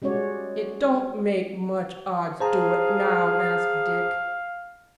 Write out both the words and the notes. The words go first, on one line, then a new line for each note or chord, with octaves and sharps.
"It don't make much odds, do it, now?" asked Dick.
G3 G#3 C#4 F#4 C#5 D5
G#4 C5 F5 A5 A#5